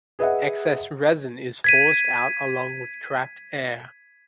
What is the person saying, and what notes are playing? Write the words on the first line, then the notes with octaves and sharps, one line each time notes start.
Excess resin is forced out along with trapped air.
G#4 B4 D#5 E5 F#5
G#6 B6 D#7